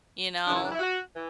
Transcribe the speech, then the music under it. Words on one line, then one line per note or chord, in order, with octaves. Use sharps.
you know?
F#2 C#3 E3 D4
E4
D4
E4
F#4
E3